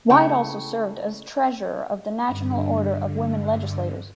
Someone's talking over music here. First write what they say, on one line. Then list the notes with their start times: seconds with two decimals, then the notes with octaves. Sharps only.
White also served as treasurer of the National Order of Women Legislators.
0.09 C#3 A3 E4 C#5 G5
2.27 G2 D3